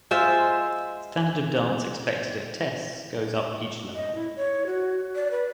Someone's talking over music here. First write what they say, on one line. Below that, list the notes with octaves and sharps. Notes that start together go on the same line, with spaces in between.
Standard of dance expected at tests goes up at each level.
G#3 F4 C5 E5
D#5
E4
C#5
F#4
D5
B4